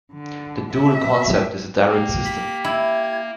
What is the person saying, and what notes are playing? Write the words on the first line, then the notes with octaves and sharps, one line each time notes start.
The dual concept is a direct system.
D3
E5
A#3 G4
B6
E4 G#6